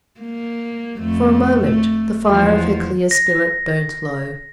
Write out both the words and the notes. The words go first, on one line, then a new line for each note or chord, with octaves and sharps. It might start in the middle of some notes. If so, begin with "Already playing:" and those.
For a moment the fire of her clear spirit burnt low.
A#3
F2 A3
A3
E2 F3
A#6